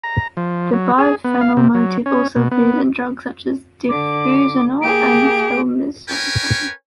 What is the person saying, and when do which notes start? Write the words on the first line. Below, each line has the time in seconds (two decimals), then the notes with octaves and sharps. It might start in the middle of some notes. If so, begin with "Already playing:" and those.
The biphenyl motif also appears in drugs such as diflunisal and telmisartan.
0.04 A#5
0.37 F3
0.73 F#3
0.98 G#4
1.24 B3
1.41 F5
1.57 C3
1.75 F#3
2.06 C#4
2.36 B2
2.51 B3
3.89 D3 D6
4.82 A#3 G4 G#4 D7
6.08 C#4 A#4 B4 C#5 G5 G#5